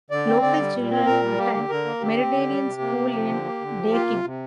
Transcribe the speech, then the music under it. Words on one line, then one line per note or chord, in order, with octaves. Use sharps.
Local children attend Meridian School in Daykin.
D3 D5
C4
D3 D5
G3
A#2
C4
A#2 A#4
G3
A#3 G4
D3
D3 A#4
A#3
D3 G4
C4
D3
G3
C3
A#3
C3
F3
D3
A#3
D3
F3
A#3 F4
C3
C3